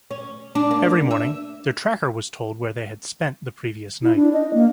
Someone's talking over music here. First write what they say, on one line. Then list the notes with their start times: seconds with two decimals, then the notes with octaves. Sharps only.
Every morning, their tracker was told where they had spent the previous night.
0.11 C#4
0.55 D4
0.71 A#3
1.11 E5
4.03 E4
4.15 D4
4.33 D#5
4.54 A#3